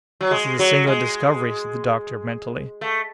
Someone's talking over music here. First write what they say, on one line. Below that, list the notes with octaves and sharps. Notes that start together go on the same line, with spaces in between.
"This is a singular discovery!" said the doctor, mentally.
F#3
G#3
F#3
G#3
A3